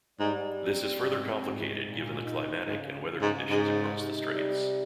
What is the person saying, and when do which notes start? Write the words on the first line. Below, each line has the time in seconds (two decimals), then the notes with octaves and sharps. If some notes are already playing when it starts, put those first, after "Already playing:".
This is further complicated given the climatic and weather conditions across the straits.
0.19 G#2 G3
0.60 C4
1.02 G#2
1.42 G#2
1.84 A#2
2.25 D#4
2.66 G#2 C#3
3.09 C#3
3.21 G#2
3.50 G#2 D#4
3.91 C3
4.32 G3